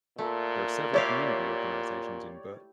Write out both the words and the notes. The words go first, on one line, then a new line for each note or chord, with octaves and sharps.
There are several community organizations in Burt.
A#2 A3
E4 G4 C#5 D5 F5